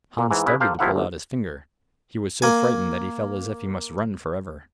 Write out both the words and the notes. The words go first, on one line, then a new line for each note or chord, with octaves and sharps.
Hans started to pull out his finger; he was so frightened that he felt as if he must run for ever.
A#2
G#2 E3
C#3 E4 B4
G4 A4 A#4 C5 F5
D#2 F3 F#3 E4 F5 F#5
G1 D2
A#3 G#5